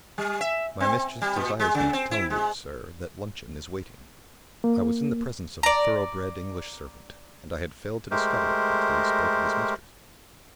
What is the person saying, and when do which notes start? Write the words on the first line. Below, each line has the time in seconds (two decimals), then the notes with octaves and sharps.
"My mistress desires me to tell you, sir, that luncheon is waiting." I was in the presence of a thoroughbred English servant--and I had failed to discover it until he spoke of his mistress!
0.18 G3
0.41 E5
0.80 C4
1.22 G3
1.36 A#2
1.60 G#3
1.75 C#3
1.93 C4
2.11 E4
2.30 G#3
4.64 A#3
5.63 D5 A#5
8.11 G#3 A3 G4 A#4 C5